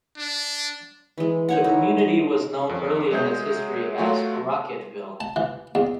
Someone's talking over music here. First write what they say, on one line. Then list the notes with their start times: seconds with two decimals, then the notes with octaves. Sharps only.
The community was known early in its history as Raquetteville.
0.18 D4
1.18 E3 G#3
1.49 D#4 C#5 F#5
1.64 D#4 E4
1.98 D#5
2.69 F2
3.11 F#3 G#3 G#4 E5 G6
3.98 F#3 A3 F4 F#4
5.20 A5
5.36 E3
5.75 E2